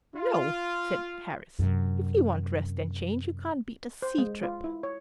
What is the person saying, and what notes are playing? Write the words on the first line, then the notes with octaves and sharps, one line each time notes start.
"No," said Harris, "if you want rest and change, you can't beat a sea trip."
F4
F#2 C3
C5
G#3
F4
E4
C#5